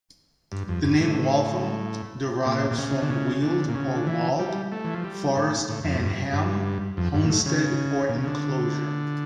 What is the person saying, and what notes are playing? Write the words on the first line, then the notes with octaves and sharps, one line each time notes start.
The name Waltham derives from "weald" or "wald" "forest" and "ham" "homestead" or "enclosure".
G2
F2
G2
A2
A#2
A#2
C#3
D3
C#3
D3
A#2
C#3
D3
E3
G3
A3
E3
F3
G3
A2
A2
F2
A2
G2
G2
F2
G2
A#2
A2
C#3
A#2
C#3
D3